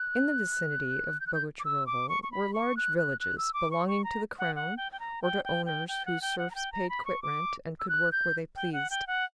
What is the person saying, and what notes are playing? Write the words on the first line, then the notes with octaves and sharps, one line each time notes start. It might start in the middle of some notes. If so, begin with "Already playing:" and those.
In the vicinity of Bogucharovo were large villages belonging to the crown or to owners whose serfs paid quitrent and could work where they pleased.
Already playing: F#6
G6
F#6
G6
D6
E6
D6
C#6
C#6
B5
C#6
F#6
F#6
F#6
E6
D6
C#6
C#6
A#5
F#5
F#5
G5
G5
A#5
G5
G5
G5
G5
F#5
G5
F#5
A#5
G5
A#5
B5
C#6
D6
E6
F#6
G6
G5
F#5
G5
F#5